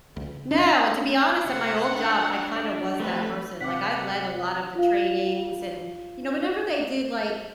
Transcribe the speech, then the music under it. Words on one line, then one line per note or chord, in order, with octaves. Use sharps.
No, and to be honest, at my old job, I kinda was that person, like, I led a lot of the trainings and you know whenever they did, like
C#2
D4
C3 C5 F#5
D4 C#5 G5
D5
F3 A3 C4 G4 B4
C3 F#5 D6 B6
F4 F5